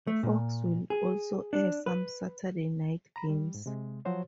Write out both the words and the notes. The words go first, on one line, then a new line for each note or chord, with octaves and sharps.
Fox will also air some Saturday night games.
A3
A#2
G#4
D4
B4
A#5 B5
G3
G#2
C3 G#3
F3 F#3 F#4 C5 C#5